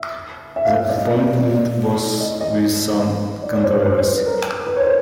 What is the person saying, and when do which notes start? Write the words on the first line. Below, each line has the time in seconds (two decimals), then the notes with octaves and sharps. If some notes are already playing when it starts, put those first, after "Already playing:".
The appointment was with some controversy.
Already playing: E5
0.56 E5
0.65 F5
0.76 E5
0.96 D#5
1.18 D5
1.38 D5
2.20 D#5
2.41 D#5
3.43 D5
3.54 C#5
3.64 C5
3.75 B4
3.85 C5
3.98 C5
4.12 B4
4.26 A#4
4.67 B4
4.76 C#5
4.80 C5